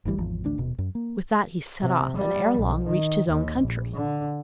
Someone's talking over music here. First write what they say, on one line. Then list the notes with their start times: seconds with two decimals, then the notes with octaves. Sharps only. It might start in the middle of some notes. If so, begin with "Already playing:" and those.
With that he set off, and ere long reached his own country.
0.05 G1 D2 E3 G3
0.18 G#1 E2 F3
0.44 A1 D2 D4
0.58 D#1 B2
0.78 F#2
0.95 A#3
1.82 C3
2.16 G3
2.57 B1
2.86 D#3
3.28 D#2
3.60 A#1
3.94 D3